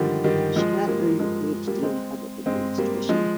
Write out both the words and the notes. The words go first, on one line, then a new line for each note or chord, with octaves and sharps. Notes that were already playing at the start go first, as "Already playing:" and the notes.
Shelat earned a PhD in public administration.
Already playing: D3 D#3 F3 G3 G#3
D#3 G3
F3 G#3
G3 A#3
F3 G#3
G3 A#3
G#3 C4
G#3 C4
G3 A#3
F3 G#3